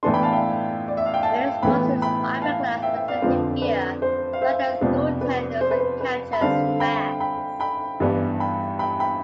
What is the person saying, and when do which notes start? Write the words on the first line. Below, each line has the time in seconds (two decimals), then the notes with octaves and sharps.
Many sports use fiberglass protective gear, such as goaltenders' and catchers' masks.
0.03 A2 E3 B3 D4 A5 C6
0.14 G5 B5
0.23 F5 A5
0.33 E5 G5
0.88 D5
0.97 E5
1.06 F5
1.14 G5
1.23 F5 A5
1.63 A2 E3 B3 G5 B5
2.02 G5 B5
2.42 F5 A5
2.82 E5 G5
2.95 E5 G5
3.08 D5 F5
3.22 F2 D3 F3 C4 B4 D5
3.62 B4 D5
4.02 C5
4.33 F5
4.42 C5 E5
4.81 F2 C3 F3 B3 D4
5.21 B4 D5
5.61 C5
5.71 B4
5.80 C5
6.00 B4
6.33 B5
6.41 D3 G3 C4 F5 A5
6.80 G5 B5
7.20 G5 B5
7.60 G5 B5
8.00 G2 E3 G3 B3
8.40 G5 B5
8.79 G5 B5
8.99 G5 B5